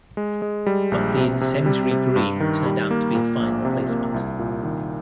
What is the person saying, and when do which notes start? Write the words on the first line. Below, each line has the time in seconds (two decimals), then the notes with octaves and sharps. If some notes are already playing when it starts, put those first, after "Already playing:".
But the incendiary Green turned out to be a fine replacement.
0.17 G#3
0.42 G#3
0.66 G3
0.92 A#1
1.17 C3
1.41 C3
1.66 G3
1.91 C3
2.16 G2
2.40 D#3
2.65 G3
2.91 A#3
3.15 A#2
3.40 A#1
3.65 C3
3.89 A#3
4.14 C2
4.39 A#2
4.63 D#3